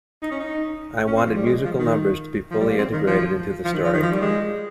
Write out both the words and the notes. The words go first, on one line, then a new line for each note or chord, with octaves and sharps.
I wanted musical numbers to be fully integrated into the story.
D#4
C#4
D#4
C#4
C4
F3
G3
G#3
F3
D#3
F3
G3
A#3
C4
D#3
F3
F3
D#3
F3
D#3
F3
G3
G#3